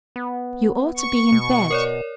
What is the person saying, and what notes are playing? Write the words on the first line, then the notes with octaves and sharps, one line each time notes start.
"You ought to be in bed."
B3
C#6
B2
A#4 C#5 D5